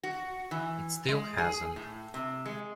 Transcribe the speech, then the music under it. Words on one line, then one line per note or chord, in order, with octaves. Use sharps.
It still hasn't.
F#4
E3
G#3
G#4
A2
C3
G#3